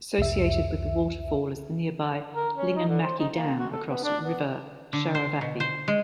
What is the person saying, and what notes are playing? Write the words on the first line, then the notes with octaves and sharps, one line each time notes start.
Associated with the waterfall is the nearby Linganmakki Dam across river Sharavathi.
C2 F2 E5
A#4
C#4
D#4
D3
C5
D#4
A#3
F#4
A4
B3
D4
B3
D3
C5
B2
C5
G#3